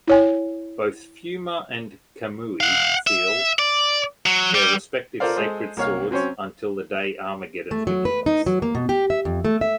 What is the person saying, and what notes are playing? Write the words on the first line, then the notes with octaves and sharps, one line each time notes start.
Both Fuma and Kamui seal their respective Sacred Swords until the day Armageddon begins.
E4 C#5 G#5
F5 F#5
E5
D5
F#3
G3
F4 A4 A#4 C5 D5 F5
G#3 G#4 A4 C5
C2 A#3 C#5 F5 F6
F#3 C4 C#4 C5 C#5
A3
F#3
B4
D#4
F#3
A#3
B2
G4
E5
F2
A3
E5